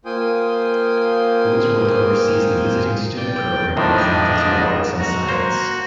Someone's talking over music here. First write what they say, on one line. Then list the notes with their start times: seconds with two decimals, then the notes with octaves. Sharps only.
Woodsworth oversees the Visiting Student Program in the Faculty of Arts and Science.
0.05 A#3 F4 C5 G5 G#5 D#6
3.17 D5 G5
3.77 F2 A2 D#3 F3 D4 D#5
4.43 C#2 G#2
4.99 F#4 A#5
5.29 A#3 C5